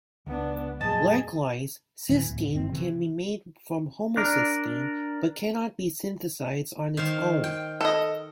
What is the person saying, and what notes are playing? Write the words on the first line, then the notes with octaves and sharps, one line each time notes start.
Likewise, cysteine can be made from homocysteine but cannot be synthesized on its own.
C#2 B3 D4
F2 A#2 F#3 G#4 D#5 A5 A6
D1 E3
D1
G1 C4
C3 E3
D4 A#4
D#3 C5 F5
G5
A4 D#5